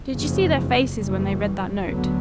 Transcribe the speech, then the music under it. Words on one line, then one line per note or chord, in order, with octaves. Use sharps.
"Did you see their faces when they read that note?"
F#1 F2 C#3 F3
F#1 F#2 C#3 E3 G3
D2 D3 F#3 B3